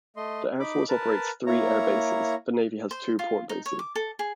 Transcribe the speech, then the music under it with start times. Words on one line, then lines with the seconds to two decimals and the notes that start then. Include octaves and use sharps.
The air force operates three air bases; the navy has two port bases.
0.16 A3 D#5 C6
0.60 D#4 B5 D6
0.89 A#4 B4 A5
1.46 A#3 E4 C#5 A#5
2.91 C5
3.19 F4
3.49 D#4
3.66 C#5
3.79 D6
3.96 A4
4.19 G#4